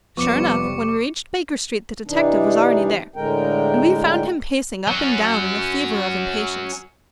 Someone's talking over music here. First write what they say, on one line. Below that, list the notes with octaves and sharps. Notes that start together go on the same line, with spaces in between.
Sure enough, when we reached Baker Street the detective was already there, and we found him pacing up and down in a fever of impatience.
F1 C3 F3 G3 B3 C#6 D6 C#7
C3 E3 D4 D#4
A2 D3 G#3 A#4 G5
F#3 C#4